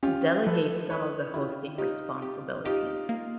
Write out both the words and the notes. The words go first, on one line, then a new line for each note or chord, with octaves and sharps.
delegate some of the hosting responsibilities.
C#4 F4 G4
F3 A4 B4
E4 B4 C#5
E4 F4 G4
D#4 F4 G4
G4
D#4 F4 G4
A#3